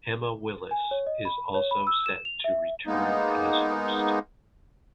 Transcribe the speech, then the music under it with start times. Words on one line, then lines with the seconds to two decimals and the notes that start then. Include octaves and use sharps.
Emma Willis is also set to return as host.
0.71 G#5
0.91 C#5
1.07 D#5
1.25 B5
1.55 C#5
1.71 B5
1.87 E6
2.06 E7
2.25 F7
2.44 E5
2.87 G#3 A#3 B3 D#4